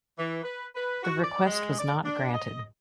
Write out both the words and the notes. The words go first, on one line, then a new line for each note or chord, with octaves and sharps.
The request was not granted.
E3
B4
B4
F#4
D5
G#3
D5
D4
D#5